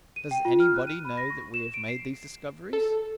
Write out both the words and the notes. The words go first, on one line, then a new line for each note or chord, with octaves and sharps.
"Does anybody know that we have made these discoveries?"
D#7
G5
F4
F6
F#6
D#7
B5
A#6
C#6
E7
D7
C7
A4